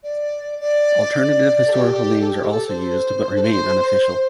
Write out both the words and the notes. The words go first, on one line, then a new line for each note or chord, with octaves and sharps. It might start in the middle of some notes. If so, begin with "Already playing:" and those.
Alternative historical names are also used, but remain unofficial.
D5
D5
D5
A4
G4
A4
G4
A4
C5
A4
C5
C5